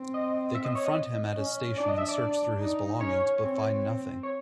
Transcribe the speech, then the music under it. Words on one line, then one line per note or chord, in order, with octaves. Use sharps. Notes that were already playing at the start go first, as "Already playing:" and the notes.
They confront him at his station and search through his belongings but find nothing.
Already playing: C4
D#5
E5
D#5
C#5
D#5
C#4
D4 D5
D#5
E5
D5
D4
D#4
C#4 C#5
C4
C4
C#5